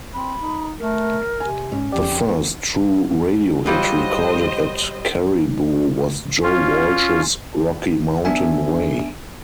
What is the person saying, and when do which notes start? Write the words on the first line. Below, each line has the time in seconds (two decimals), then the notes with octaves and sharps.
The first true radio hit recorded at Caribou was Joe Walsh's "Rocky Mountain Way".
0.14 C4 B5
0.40 D#4
0.79 A3 A#4
1.40 C3 G#5
1.72 G#2 C#4
1.92 F2 G4 D5 G5
3.66 F#3 G3 F4 C5 D#5
6.43 C#4 F4
8.25 B3 D4 E5 G#5